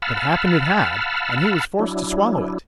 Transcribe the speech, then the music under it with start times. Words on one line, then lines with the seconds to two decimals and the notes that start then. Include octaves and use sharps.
But happened it had, and he was forced to swallow it.
0.02 F5 F#5 A5 B5 E6 F6
1.79 F#3 D4 E4